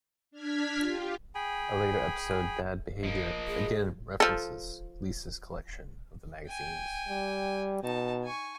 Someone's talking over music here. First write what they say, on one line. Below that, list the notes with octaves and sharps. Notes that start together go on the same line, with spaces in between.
A later episode, "Dad Behavior", again references Lisa's collection of the magazines.
D4 F6 G#6 B6
F4 G4
G#4 G5 G#5 B5
F3 A#3 D#5
G#4
F3 A4
G5 G#5
G3
B2 D#4 A5
G#5 C#6